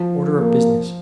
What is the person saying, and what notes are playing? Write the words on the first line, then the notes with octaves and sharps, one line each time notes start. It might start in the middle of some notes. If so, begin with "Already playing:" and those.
Order of Business.
Already playing: F3
A#3